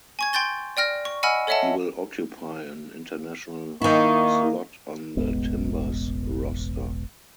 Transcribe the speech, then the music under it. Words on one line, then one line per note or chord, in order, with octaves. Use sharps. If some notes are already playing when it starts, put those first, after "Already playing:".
He will occupy an international slot on the Timbers roster.
G#5 C#6 G#6
G5 C6 G6 A6 G7
D5 G5 F6 A#6
C#6
D#5 F#5 G#5 B5 E6 F6
A4 C#5 D#5 E5 F#5 A5
D#3 A#3 E4 C#6
E1 A1 G#3 B3